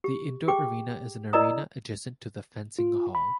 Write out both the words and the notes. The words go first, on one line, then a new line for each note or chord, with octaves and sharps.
The Indoor arena is an arena adjacent to the Fencing Hall.
G4
G4 G#4 G5 D6
E4 A#4 D5 D#5 A#5 D#6
F4
B5